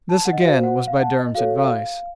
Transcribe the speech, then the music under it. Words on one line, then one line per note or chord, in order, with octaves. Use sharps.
This again was by Durham's advice.
A5
F#5
D#5
F#4 C5 F5
F#5
F5
F#5
A5
D#5
F#4 A4 C#5 F5
F5